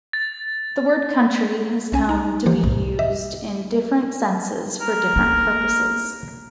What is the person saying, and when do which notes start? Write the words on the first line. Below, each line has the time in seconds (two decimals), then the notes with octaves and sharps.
The word "county" has come to be used in different senses for different purposes.
0.13 A6
1.92 C2 C#4 G#5
2.09 D#4 A#5
2.46 E3 F3 A#3 G4 C5
2.63 C2 F#2 A2 C3
2.99 G4 D#5 E5
4.81 A#4
5.16 A#3